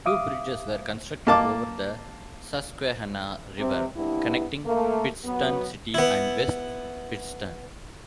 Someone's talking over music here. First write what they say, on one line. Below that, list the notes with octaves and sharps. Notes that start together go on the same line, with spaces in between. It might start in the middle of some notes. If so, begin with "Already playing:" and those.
Two bridges were constructed over the Susquehanna River, connecting Pittston City and West Pittston.
E5 F5 D6 D#6
A#3 A5 D6
C3
G2 C3 B3 E4
A3 A#3
F#3 B3
B3 E4